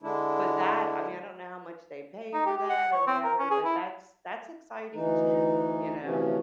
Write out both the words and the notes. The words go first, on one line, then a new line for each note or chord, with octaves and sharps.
but that I mean, I don't know how much they pay for that or whatever, but that's that's exciting too, you know.
D3 G#3 D4 E4
D#4
G4
G4
F#5
C#5
C4
A#4
C#4
G#4
E4
D2 E3 D#4
D2 C3 E3 F3 C#4